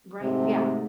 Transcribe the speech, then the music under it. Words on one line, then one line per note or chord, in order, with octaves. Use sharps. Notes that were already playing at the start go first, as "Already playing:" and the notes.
Right, yeah.
G#2 C3 A3